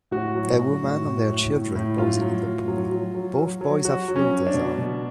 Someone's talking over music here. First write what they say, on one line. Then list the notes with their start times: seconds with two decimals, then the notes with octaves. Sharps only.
A woman and her children posing in the pool, both boys have floaters on.
0.11 A2 F#4
0.35 F#3
0.59 F#3
0.82 A2
1.05 A2
1.28 A2
1.52 A2
1.75 A2
1.98 F#3 F4
2.22 F#3
2.44 A2
2.68 F#3
2.92 F#3
3.14 F#3
3.38 F#3
3.61 F#3
3.85 F#3 F#4
4.08 F#3
4.16 C#4
4.31 F#3
4.47 D4
4.54 B2
4.78 B2